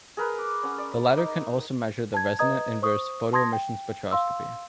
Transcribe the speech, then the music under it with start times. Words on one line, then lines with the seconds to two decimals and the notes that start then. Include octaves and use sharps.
The latter can also measure the resonant inverse photoemission spectroscopy.
0.17 G#4 A#4 B4
0.38 D6
0.63 C#4 F#5
0.78 D5
1.17 D#4
2.14 A5 G#6
2.39 B4 D#5 A#5 D#6 G#6
2.82 C5 C#6 D#6
3.33 A5 C6 D#6 G#6 A#6
3.53 G5
4.11 F5 C6 E6